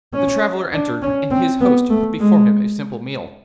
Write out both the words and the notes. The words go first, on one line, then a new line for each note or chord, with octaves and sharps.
The traveller entered, and his host put before him a simple meal.
C#4
D4
C#4
C4
B3
A3
G#3